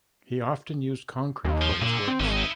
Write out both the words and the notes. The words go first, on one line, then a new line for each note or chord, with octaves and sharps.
He often used concrete for his works.
D#2
F3
A#2 D3
C4
G#1 E3 C#4
D#4 E4